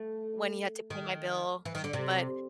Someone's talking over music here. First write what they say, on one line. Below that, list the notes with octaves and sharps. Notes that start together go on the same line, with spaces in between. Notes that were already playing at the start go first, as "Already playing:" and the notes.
when he had to pay my bill, but
Already playing: A3
D#3
E3
D#3
D3
C3